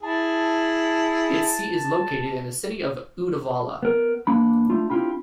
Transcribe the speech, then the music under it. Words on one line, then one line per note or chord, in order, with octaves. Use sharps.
Its seat is located in the city of Uddevalla.
E4 G#4 A5
B3 A#4
E2 A#3 D4 B5
A3 D4 F4
C4 D4 E4 F4 G4 B5